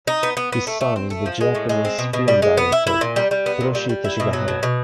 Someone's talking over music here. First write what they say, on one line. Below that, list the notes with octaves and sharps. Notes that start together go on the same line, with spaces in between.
His son is the Japanese film director Hiroshi Teshigahara.
D#4
B3
B3
B3
A3
A3
C4
A3
F3
G#3
A2
G#3
C4
B2
B2
G3
G#3
B3
E4
E4
A#2
G3
G3
B3
A#2
G3
G3
E4
B2
F#3
B2
B2